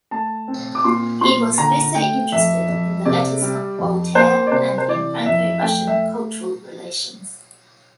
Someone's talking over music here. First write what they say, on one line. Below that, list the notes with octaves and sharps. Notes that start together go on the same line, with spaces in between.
He was also interested in the letters of Voltaire and in Franco-Russian cultural relations.
A3 A5
C4
D6
A#2 C6
A#2 C6
D3 A#5
A3 G5
F2 E5
F2
C3 D5
G3
F2
A#3 C5
D5
C3 C5
C5
E3 D5
F2 E5
A3 G5
E5